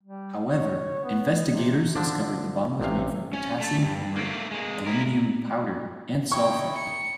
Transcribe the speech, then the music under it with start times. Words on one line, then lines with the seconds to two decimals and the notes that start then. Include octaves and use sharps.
However, investigators discovered the bomb was made from potassium chlorate, aluminium powder, and sulfur.
0.03 G3
0.46 C#5
1.04 B3
1.50 C3
1.95 D3 F3 D4
2.80 A1 C3 F5
3.33 C#4
3.60 A3 A5
3.81 C#2 G2
4.16 A3 A#3
4.51 G#3 A#3
4.86 E4 A#4
6.32 D#4 E4 C#5 G5 C#6
6.77 C#7